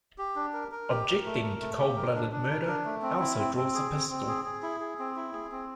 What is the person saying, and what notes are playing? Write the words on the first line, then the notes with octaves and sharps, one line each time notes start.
Objecting to cold-blooded murder, Elsa draws a pistol.
G4
D4
A#4
A#4
G4
A#4
A3
A#4
A3
G4
A#4
D4
D4
A#4
D4
A3
C4
E4
C4
C4
G#4
C4
C4
G#4
G#4
E4
G#4
C4
E4
G#4
C4